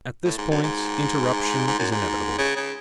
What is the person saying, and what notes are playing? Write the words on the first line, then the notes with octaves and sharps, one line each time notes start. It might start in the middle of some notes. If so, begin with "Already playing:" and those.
At this point, interruption is inevitable.
A2
G#2
F#2
G#2
G#2
F#2
G#2
C#3
C#3